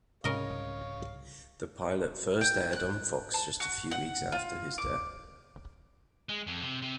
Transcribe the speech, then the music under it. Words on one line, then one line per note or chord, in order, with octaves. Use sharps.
The pilot first aired on Fox just a few weeks after his death.
C2 G#2 C#3 A#4 C#5 D#5 F5
G5
F#6
A5
F#4
F#5
F4
D6
G#3
F2
C3
C3